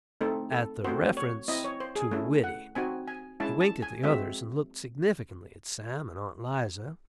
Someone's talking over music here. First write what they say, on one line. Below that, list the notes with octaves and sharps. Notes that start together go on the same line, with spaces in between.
At the reference to a "widdy" he winked at the others and looked significantly at Sam and Aunt 'Liza.
A3 C4 D#4 A4
A4
A3 C4 F#4 C5
C#5
C4 E4 D#5
C#5
C5
G#4
A3 C#4 E4 A4
F#5
C4 D#4 F#4 G#5
G#5
G#3 C#4 E4 A5
A5
G#5
G#3 C4 F#4 E5